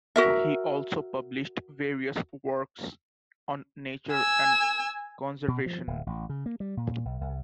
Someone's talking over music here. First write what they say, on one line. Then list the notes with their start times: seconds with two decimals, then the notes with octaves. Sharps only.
He also published various works on nature and conservation.
0.16 F#4 A#4 E5
4.11 G#5 E6
5.48 B2
5.66 F3
5.87 D1
6.06 A1
6.29 C#3
6.46 A#3
6.60 G3
6.77 A#2
7.05 B1
7.21 C2